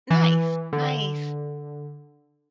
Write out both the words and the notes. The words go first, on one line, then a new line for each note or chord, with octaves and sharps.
Nice. Nice.
E3
D3